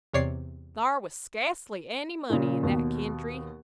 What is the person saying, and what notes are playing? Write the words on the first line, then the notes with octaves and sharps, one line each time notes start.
Thar was sca'cely any money in that kentry.
E2 C3 C#5 D5 C7
A#2 C#3
D#2 B2